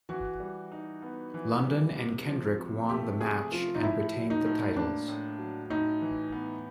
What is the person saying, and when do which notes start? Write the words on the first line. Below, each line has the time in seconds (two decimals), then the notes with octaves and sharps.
London and Kendrick won the match and retained the titles.
0.09 E3 F#4
0.40 G3
0.72 D#4
1.02 B3
1.34 E3
1.65 G3
1.96 C3
2.27 F3
2.58 C3
2.89 A3 G4
3.21 C3 G#4
3.51 F3 F4
3.75 D#4
3.83 A2 E4
4.14 F#3
4.30 D#4
4.45 A2
4.76 A#3 D4
5.08 A2
5.39 F#3
5.70 A2 D#4
6.02 E3
6.32 B3